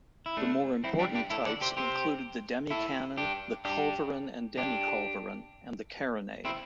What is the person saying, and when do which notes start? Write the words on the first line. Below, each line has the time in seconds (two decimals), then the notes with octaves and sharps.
The more important types included the Demi-cannon, the Culverin and Demi-culverin, and the Carronade.
0.26 E4
0.37 A3 D4
0.84 C4 E4
0.99 D4 G4
1.15 D4 G4
1.30 E4 A4
1.46 A4 D5
1.61 G4 C5
1.77 G4 C5
2.70 E4 A4
3.17 D4 G4
3.65 D4 G4
4.58 D4 G4
6.45 C4 E4